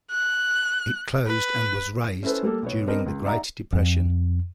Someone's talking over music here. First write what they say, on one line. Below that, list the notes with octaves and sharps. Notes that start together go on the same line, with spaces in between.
It closed and was razed during the Great Depression.
F#6
B4
C#4 E4 A4 B4 C5
G3 A#3 A4
B1 B3 C#5
B3 C4 D4 A#4 B4 D#5
C#2
D#4 D5 E5 F#5 A#5
F2